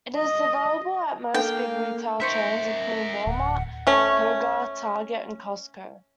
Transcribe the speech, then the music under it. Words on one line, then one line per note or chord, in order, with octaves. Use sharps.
It is available at most big retail chains including Walmart, Kroger, Target, and Costco.
D#5
A#3 C#4 D4 A4 F5 G5
D#3 A#4 C5 E5 C#6
D1 F#5
A3 C#4